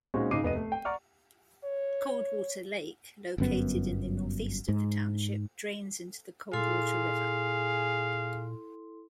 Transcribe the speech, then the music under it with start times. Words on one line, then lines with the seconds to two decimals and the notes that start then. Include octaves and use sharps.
Coldwater Lake, located in the northeast of the township, drains into the Coldwater River.
0.14 A#2 G#3 C4 C#4 D#4 F#4
0.31 G#2 C#3 D#4 D6 C7 D#7
0.43 F1 B3 D#5 D#7
0.55 A3
0.72 G5
0.85 D5 F#5 A#5 C#6 D6 F6
1.64 C#5
3.38 G1 F#2 B3
4.68 G#2
6.53 A#2 E4 G#4 A4 F5 C6